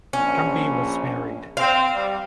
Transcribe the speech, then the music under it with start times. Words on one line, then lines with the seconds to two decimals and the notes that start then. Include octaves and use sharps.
Cumby was married.
0.13 A#1 C#4
1.57 C4 F5
1.93 G3